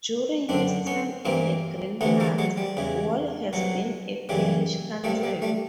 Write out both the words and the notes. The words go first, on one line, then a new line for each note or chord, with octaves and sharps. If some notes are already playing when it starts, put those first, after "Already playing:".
During his time in the Green Party, Wall has been a Parish Councillor.
F#2 D3 C4 D4
B3 C#4
G2 E3 A#3 C4
D2 C3 E3 A3 B3
G#3 A#3
F#3 G#3
G3
E2 C#3 E3
C2 B2 F#3
F#2 C#3 E3 G3
C2 A#2 G3 A3
G3
G3 A3